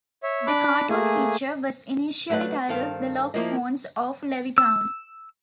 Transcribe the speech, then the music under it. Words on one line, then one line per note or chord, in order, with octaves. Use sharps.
The cartoon feature was initially titled The Lockhorns of Levittown.
C#5 E5
D4 B5 D6 F#6
A3 A#3 G#4 G#5
F#3 A3 B4 D5 F#5
G2 D#3 A4 C5 F5
F3 A#3 E4 F4 A#4 D#5
E6